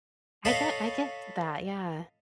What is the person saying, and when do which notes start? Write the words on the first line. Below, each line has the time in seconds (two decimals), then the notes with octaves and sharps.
I get I get that. Yeah.
0.45 A4 C#5 D#5 F5 A5 B5